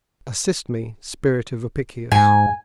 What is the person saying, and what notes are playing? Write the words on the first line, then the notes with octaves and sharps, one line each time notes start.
Assist me, Spirit of Apicius!
G#2 G#5